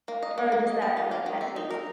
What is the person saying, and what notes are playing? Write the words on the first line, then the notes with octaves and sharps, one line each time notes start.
or just that, like, that taste.
A#3
D#5
A#3
A#3
D#5
D#5
F4
A#3
D#3
C4
D#4
A#4